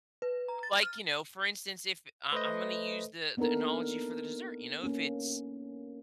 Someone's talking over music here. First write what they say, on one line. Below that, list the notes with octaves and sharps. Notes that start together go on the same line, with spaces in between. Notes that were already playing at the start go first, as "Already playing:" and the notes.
Like, you know, for instance, if I Imma use the the analogy for the dessert, you know? If it's
B4
A#5
A6
F6
A3 B4 C5 D#5
A#3 B3 D4 D#4 A4 A#4
A#3 C#4